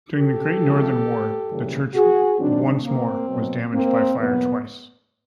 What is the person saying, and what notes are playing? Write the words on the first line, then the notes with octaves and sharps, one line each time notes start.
During the Great Northern War, the church once more was damaged by fire twice.
G4 A4
C3 F3 G#3
F#2 C#3 E3 G3 A#3
F#4 G#4
G#2 D#3 F#3 C4 D4
A#3 C4
B2 F#3 A#3
A#3 C4
E2 B2 F#3 A#3 B3